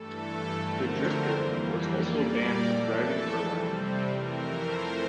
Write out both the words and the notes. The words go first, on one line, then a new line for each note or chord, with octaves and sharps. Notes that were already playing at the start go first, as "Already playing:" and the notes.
The drifter was also banned from driving for life.
Already playing: G2 E3 A3 A4
F2 D3 A3 C4 A#4
C5
F2 E3 G3 A#3
A#2 G3 A#3 D5
A#4
F2 E3 A3 A4
C3 G3 C4
F2 E3 A3 C4 A#4
C5